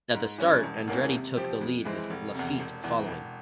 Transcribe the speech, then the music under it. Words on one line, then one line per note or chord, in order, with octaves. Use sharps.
At the start, Andretti took the lead with Laffite following.
G#2
E3 G3 C#4
E1
E2 E3 A#3 C#4
C3
F3 C4 G4
F2
E3 G#3 C4
F1
E2 C3
E1
E2 E3
E1